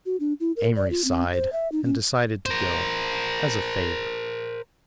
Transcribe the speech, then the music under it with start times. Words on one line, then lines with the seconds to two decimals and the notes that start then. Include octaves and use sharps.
Amory sighed and decided to go, as a favor....
0.06 F#4
0.20 D4
0.40 E4
0.57 A#4
0.76 D5
0.91 F4
1.04 C4
1.33 C5
1.53 E5
1.72 D#4
1.84 C#4
2.46 A#4 C5